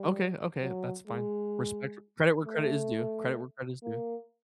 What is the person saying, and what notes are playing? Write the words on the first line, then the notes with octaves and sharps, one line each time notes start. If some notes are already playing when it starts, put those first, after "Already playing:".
Okay, okay, that's fine. Respect r Credit where credit is due. Credit where credit is due.
Already playing: G3
F#3
G#3
A3
A#3